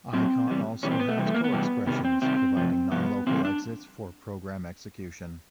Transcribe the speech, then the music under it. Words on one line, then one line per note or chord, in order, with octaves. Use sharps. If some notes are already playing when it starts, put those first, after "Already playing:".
Icon also has co-expressions, providing non-local exits for program execution.
A#2 F#3 C4
C3 E3 G3
C3 E3 G3 C#4
C4
B3
A3
C3 E3 G3
A3
A#3
B3
C3 E3 G3
C3 D#3 G3 B3
C4
C3 D#3 G3 C4
C3 F3
C3 F3 B3
C#3 E3 G3 C4
D4